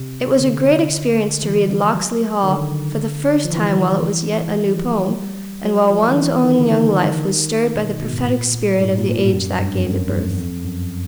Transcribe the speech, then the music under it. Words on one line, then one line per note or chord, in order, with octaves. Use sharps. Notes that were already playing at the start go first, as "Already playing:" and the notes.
It was a great experience to read "Locksley Hall" for the first time while it was yet a new poem, and while one's own young life was stirred by the prophetic spirit of the age that gave it birth.
Already playing: C3
D3
E3
F3
G3
F#3
D#3
D3
F3
E3
F3
F#3
F3
G3
F#3
F3
D#3
E3
D#3
D3
D#3
B2
B2
G#2
A2
A#2
G#2
A#2
A#2
A2
F#2
G2
F2
F#2
E2
F2
F#2